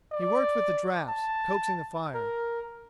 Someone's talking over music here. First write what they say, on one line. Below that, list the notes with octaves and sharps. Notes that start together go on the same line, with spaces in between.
He worked with the drafts, coaxing the fire.
D5
A5
A#4